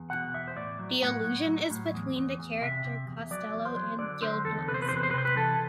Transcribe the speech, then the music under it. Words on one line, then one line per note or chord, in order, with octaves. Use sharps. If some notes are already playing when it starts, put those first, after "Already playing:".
The allusion is between the character Castelo and Gil Blas.
Already playing: E2
B2 F#5
E2 E5
C5
A2 D5
F#3
A2 F#5
A2
F#3
A2
E2
E2
E2
C3 E5
C3
E2
F#3 D5
E2
C5
F#3
D3 D5
D3 C5
E2 A4
C3 B4
C5
B4
E2 C5
B4
C5
B4
C3 C5
B4
E3 A4